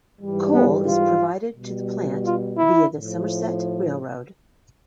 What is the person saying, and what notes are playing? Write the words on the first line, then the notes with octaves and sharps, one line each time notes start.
Coal is provided to the plant via the Somerset Railroad.
G#2 E3 G3
B3
F4
B2 G3
F4
E4
A2 F3